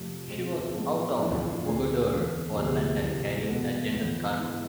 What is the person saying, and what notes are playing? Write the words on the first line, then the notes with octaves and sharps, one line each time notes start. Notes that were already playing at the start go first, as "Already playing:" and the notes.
She was out of Mogodore for London carrying a general cargo.
Already playing: F2 C3 F3 A3
B2 G#3 C4
A2 F3 G#3 B3
F2 E3 A3 D4
E4
F4
D2 D3 A3 C4 G#4
E2 D3 A3
D2 C3 F3 B3 G#4
C2 C3 E3 B3
E2 B2 G#3 B3 A4
E2 D3 F3 B3
G#2 G#3 B3 E4